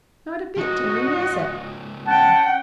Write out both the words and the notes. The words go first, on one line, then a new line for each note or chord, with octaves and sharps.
"Not a bit, deary; what is it?"
C#3 F3 F#4 D#5
C#4 F#5 G5 A5